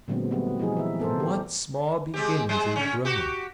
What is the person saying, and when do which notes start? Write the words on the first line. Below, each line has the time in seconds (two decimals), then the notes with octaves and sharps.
From what small beginnings it had grown!
0.08 A#2 D3 F#3 G#3 B3 C4
0.31 F#3 G3 A3 B3 C4
0.59 E3 F3 G3 D#4 G#4
0.77 E3 E5
1.00 B3 A4 A#4 C5
1.20 G4
2.14 G#3 C4 G4
2.49 G3 G#3 C5
2.76 C#3 C#4
3.05 F#4 G4